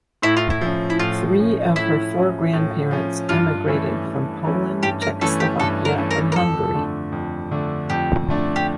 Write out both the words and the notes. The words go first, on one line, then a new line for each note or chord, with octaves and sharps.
Three of her four grandparents emigrated from Poland, Czechoslovakia, and Hungary.
A2 E4
F4
E4
F3 C#4
E4
A2 F4
F3 C#4
A2 E4
F3 C#4
A2
F3 C#4
G2 F4
E3 A3 C#4 E4
G2
E3 A3 C#4 E4
G2 G4
A#4
E3 A3 C#4 E4 A4
G4
G2 A4
A#4
E3 A3 C#4 E4
A#4
A#4
F2 A4
D3 A3 D4
F2
D3 A3 D4
F2 G4
D3 A3 D4
G4